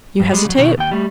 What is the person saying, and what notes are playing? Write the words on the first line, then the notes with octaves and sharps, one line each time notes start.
"You hesitate?"
G2
G3 G#3
C#3 F#3
B2 D#3
D#2 G5
G3 A3